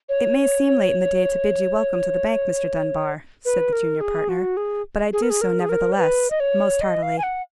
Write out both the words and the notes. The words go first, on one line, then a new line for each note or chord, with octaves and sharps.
"It may seem late in the day to bid you welcome to the bank, Mr. Dunbar," said the junior partner, "but I do so, nevertheless--most heartily!"
C#5
B4
A#4
G#4
F#4
G#4
G#4
A#4
G#4
A#4
G#4
A#4
C#5
B4
D#5
C#5
D#5
F5
G#5
F#5